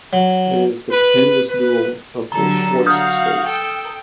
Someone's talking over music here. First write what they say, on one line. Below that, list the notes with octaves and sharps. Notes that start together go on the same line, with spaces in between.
It is the continuous dual of the Schwartz space.
F#3
B4
B4
D3 F#3 G3 A4 A5 A#5
F#4 F5 D#6 F6 G6
A4 G5